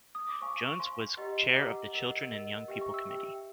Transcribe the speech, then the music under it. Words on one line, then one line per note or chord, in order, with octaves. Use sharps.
Jones was Chair of the Children and Young People Committee.
D#6
D6
C5 F5 G#5 B5 C#6
C#6
C5 F5 G#5 B5 C6
G4 B4 D#5 F#5 A#5
G4 B4 D#5 F#5 A#5 D6
A#4 D#5 F#5
A#4 D#5 F#5
G4 B4 E5 G5
C#6
E6
G4 B4 E5 G5